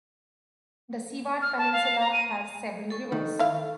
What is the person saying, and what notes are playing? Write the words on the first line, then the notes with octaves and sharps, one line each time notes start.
The Seward Peninsula has several rivers.
F6
A5
F5
A#5
D#7
A4 C#6
D#3
E4 F5